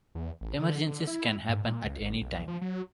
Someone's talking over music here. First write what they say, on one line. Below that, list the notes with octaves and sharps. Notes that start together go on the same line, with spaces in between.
Emergencies can happen at any time.
E2
A1
D3
D3
E4
G#2
A#2
C#2
G#1
B1
F3
F#3